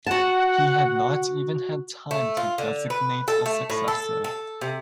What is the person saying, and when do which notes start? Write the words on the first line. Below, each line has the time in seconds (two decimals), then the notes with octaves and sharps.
He had not even had time to designate a successor.
0.06 F#4 F#5 A5
2.11 A3
2.37 F4
2.58 D3
2.90 B4
3.28 A4
3.46 A3
3.70 A2
3.88 A4
4.24 A4
4.61 C3